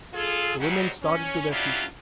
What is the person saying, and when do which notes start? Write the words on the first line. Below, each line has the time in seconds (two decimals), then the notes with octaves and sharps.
The women started to their feet.
0.13 F4 G#4 A4
0.58 G#2 F#3 G3
1.02 C#4
1.50 F#3 G3 C#4 D4 E4 F4